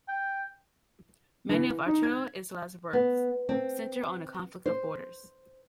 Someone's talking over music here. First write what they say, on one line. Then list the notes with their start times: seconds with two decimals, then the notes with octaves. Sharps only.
Many of Arturo Islas's works center on the conflict of borders.
0.08 G5
1.49 E3
1.86 D#4
2.03 G#6
2.93 B3
3.49 C4
4.66 C5